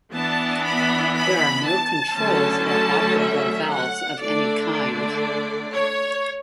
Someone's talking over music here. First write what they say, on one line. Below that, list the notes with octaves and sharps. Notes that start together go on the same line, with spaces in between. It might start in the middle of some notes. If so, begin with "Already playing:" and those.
There are no controls or operable valves of any kind.
E3 B3 D4 A5
B5
B5
A5
D3 F#3 A3 C#4
A5
E5
F#5
D3 A3 D4 D5
D5
C#5